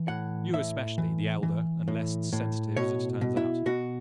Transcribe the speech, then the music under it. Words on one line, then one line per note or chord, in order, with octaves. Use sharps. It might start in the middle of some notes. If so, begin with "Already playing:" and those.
You especially, the elder; and less sensitive, as it turns out.
Already playing: E3
A2 F#5
A2 E5
E3
E3
A2
A2
B2 C#5
B2
E4
B2 F#4